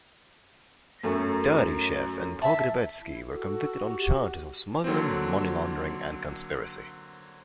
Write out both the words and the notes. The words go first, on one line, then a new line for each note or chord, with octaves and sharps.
Darichev and Pogrebezskij were convicted on charges of smuggling, money laundering and conspiracy.
F#2 A3
E5 A5
E4
F#4 A4
G4
D3 F#3 A#3 C4